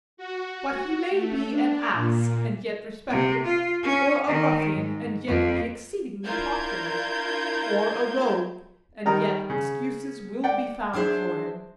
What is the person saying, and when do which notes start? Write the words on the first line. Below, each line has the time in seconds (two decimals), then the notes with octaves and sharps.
But he may be an ass, and yet respected; or a ruffian, and yet be exceedingly popular; or a rogue, and yet excuses will be found for him.
0.17 F#4
1.10 A3
1.49 D4
1.93 A#2
3.10 C3
3.46 F4
3.83 C#4
4.27 D#3
4.74 G#2
5.28 F2
6.24 D4 E4 F4 A#4 G6 G#6
9.05 D#3 G3 D#4 A#4 A#5 D#6
9.50 C#3
10.44 D5 F#5 G5
10.93 F#3 D4 G#4 C5 E5